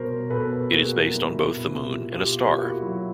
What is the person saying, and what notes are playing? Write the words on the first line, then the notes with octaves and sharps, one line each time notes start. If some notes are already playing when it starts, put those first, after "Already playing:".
It is based on both the moon and a star.
Already playing: B2 G3 A#4 C5 C#5
B2 A4 B4
A#3 F#4 G#4
G3 E4 F#4
B2 E4 F#4
F4 G4
B2
F4 G4
A#3 F4 G4
E4 F#4
F#3 E4 F#4